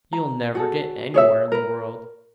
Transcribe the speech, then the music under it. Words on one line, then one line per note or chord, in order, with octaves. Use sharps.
You'll never get anywhere in the world.
A#5
F#4 G#4 A4
G#4 C#5 E5
A#4 B4